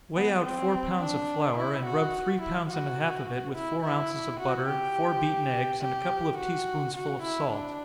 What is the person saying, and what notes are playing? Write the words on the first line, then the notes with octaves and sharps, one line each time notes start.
Weigh out four pounds of flour, and rub three pounds and a half of it with four ounces of butter, four beaten eggs, and a couple of tea-spoonsful of salt.
B3
C4
D4
E4
F#4
E4
F#4
E4
E4
F#4
G4
G4
F#4
F#4
E4
D4